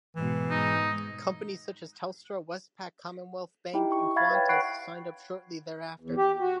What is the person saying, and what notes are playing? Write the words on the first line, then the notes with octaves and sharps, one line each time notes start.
Companies such as Telstra, Westpac, Commonwealth Bank, and Qantas signed up shortly thereafter.
G#2 B2 E3
G#2 D#4
D#4 E4 G4 G5
C#6
E5 F5 B5 G#6 A6
B4 C#5 G5
F#5 B5 C#6 F#6 C7 D7
E2
G4
F#4